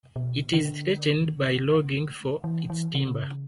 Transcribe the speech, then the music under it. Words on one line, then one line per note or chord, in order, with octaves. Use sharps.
It is threatened by logging for its timber.
B2
D3
E3
E3
C#3